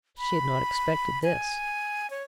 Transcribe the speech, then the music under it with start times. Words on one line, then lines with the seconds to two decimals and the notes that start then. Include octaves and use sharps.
She had not expected this.
0.18 B5
1.23 G#5
2.10 C#5